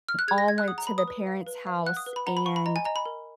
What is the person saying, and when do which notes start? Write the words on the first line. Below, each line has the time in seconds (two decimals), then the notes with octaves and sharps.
all went to the parents' house and,
0.09 F6
0.19 F#6
0.28 G#4 G#6
0.38 A#6
0.47 G#4 G#6
0.58 F#6
0.68 F#5 D#6
0.78 A#5
0.87 B4 B5
0.98 D#6
1.08 B4
1.27 F5
1.47 B4
1.67 F5
1.86 F#5 F#6
1.97 D#6
2.06 B4
2.16 B5
2.26 F#5 A#5
2.37 B5
2.45 F#5 C#6
2.56 B5
2.66 D#5 A#5
2.76 G#5
2.85 D#5 A#5
2.96 B5
3.06 A#4